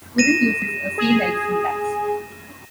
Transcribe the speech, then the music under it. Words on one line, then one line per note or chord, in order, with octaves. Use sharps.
Squirrel uses a C-like syntax.
A#6 D#7 E7
G#4